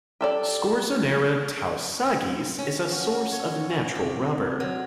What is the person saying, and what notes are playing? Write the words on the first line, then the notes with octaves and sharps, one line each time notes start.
"Scorzonera tau-saghyz" is a source of natural rubber.
G4 A4 D5
C#4
F#4
C#5
C#4
C3
F#3